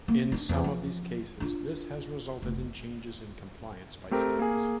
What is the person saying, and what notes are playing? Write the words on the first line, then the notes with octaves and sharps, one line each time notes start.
In some of these cases, this has resulted in changes in compliance by states.
A#3
D4 D#4
E2
F3
D4 F4
F1
A3 C4 G4 A#4
A#3 G#4